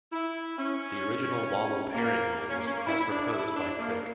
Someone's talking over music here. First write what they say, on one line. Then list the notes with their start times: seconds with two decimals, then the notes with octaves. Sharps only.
The original wobble pairing rules, as proposed by Crick.
0.12 E4
0.58 C#4
1.95 A#3
2.41 A#3
2.49 C#4
2.59 A#3
2.67 C#4
2.76 A#3
2.87 E4
3.00 E4
3.10 D4
3.33 E4
3.56 D4
3.79 A#3